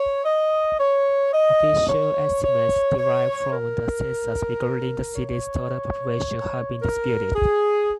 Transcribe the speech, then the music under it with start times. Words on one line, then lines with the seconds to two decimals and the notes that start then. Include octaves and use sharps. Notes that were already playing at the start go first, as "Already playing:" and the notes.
Official estimates derived from the census regarding the city's total population have been disputed.
Already playing: C#5
0.24 D#5
0.79 C#5
1.33 D#5
1.88 C#5
2.43 C#5
2.98 C#5
3.52 A#4
5.16 C#5
6.81 A#4
7.35 G#4